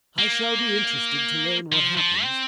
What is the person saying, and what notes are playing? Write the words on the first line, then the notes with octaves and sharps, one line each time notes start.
"I shall be interested to learn what happens."
A#3
F3
F3
C4